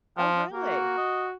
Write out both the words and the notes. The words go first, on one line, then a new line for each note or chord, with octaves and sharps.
Oh, really?
F3
A#3 F#4
D#5